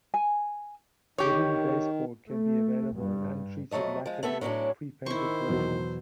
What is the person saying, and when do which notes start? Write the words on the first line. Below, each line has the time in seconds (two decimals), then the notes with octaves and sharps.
Wooden baseboard can be available in untreated, lacquered or prepainted versions.
0.14 G#5
1.18 D#3 G4 C#5
2.30 A3
2.94 G2
3.71 F2 C3 F#3 A3 D#5
4.06 F3 G#3
4.23 A3 B3 A4 E5
4.41 A2 F#3 C#4 D4
5.06 D#3 E4 C5 C#6
5.49 E2 B2 F#3